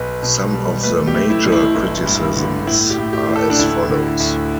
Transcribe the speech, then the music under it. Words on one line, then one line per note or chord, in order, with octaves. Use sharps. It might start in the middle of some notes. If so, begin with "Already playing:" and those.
Some of the major criticisms are as follows.
Already playing: B1 B4
B2
G3
A3 B4
G4
A3
E4
B1
E4
G1 E4
G2
D3
A2 E4
G4
A2
G4
A2
A4
D4
D2 E4
D3
D2